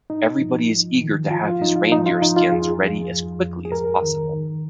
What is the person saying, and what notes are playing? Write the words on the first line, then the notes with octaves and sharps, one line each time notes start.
Everybody is eager to have his reindeer-skins ready as quickly as possible.
G#2 D#4
F3
G#2
D#3
F3 F4
F4
G#2 D#4
F4
F3 D#4
F4
G#2 D#4
F4
F2 G#4
F3
F2
F2
G#4
G#2 A#4
D#3
D#3